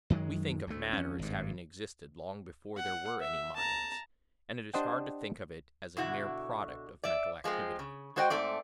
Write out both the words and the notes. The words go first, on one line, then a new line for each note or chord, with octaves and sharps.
We think of matter as having existed long before there were any minds, and it is hard to think of it as a mere product of mental activity.
F#2 D#3 F#3 G#3
D2 A3
F2 C#4
G#1 G2
F#5
E5
A5 A#5
D4 G4 C5 D#5 F#5 G5
B2 D3 E4 F#4
D5 E5
F3 G#3 A3 C4
C#3
G#3 F#4 C5 D#5 F5 G5
G#2 A3 C4 D5